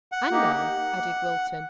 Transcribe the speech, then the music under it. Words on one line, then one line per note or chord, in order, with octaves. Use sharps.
"And I," added Wilton.
F#5
A#3 D#4 G4